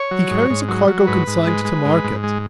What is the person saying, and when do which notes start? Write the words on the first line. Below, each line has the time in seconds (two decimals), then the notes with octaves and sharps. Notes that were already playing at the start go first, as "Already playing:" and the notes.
He carries a cargo consigned to market.
Already playing: C#5
0.11 F#3
0.31 G#2
0.50 G#2
0.69 F#3
0.88 F#3
1.07 G#2 B4
1.27 G#2
1.47 G#3
1.65 G#3
1.85 G#2
2.04 G#2
2.23 G#3